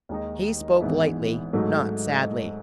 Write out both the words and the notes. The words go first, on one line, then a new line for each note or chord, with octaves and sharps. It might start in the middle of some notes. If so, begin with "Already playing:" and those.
He spoke lightly, not sadly.
D#2 D#3 G#3 D#4
G#1 G#2 E3 B3 E4
G#2 F#3 A3 D#4